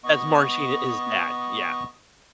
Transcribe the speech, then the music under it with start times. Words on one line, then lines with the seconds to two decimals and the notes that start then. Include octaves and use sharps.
That's Martin Sheen, his dad. Yeah.
0.04 B3 D#5 C#6